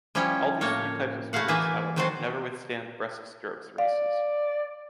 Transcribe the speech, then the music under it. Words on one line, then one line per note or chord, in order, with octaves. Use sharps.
All these three types of swimmers, however, never withstand breaststrokes races.
F3 G3 C#4 E4 C#5 G5
A2 A#3 A4 A#4 C#5
A3 E4 F#4 F5 F#5
E3 A#3 G#4 D5 E5
D#3 F#3 C4 F#4 A4 C5
D5 F5